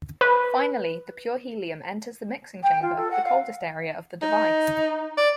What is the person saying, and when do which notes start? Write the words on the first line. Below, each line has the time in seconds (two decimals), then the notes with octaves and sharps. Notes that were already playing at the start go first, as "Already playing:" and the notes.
Finally, the pure He enters the mixing chamber, the coldest area of the device.
0.21 B4
2.63 G5
2.82 F4
2.96 A4
3.10 F#5
3.24 F5
4.22 D#4
5.17 D5